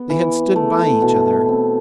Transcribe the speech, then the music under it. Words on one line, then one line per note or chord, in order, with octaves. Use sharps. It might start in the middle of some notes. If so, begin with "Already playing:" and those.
They had stood by each other.
Already playing: B3
E3
A3
B2
C4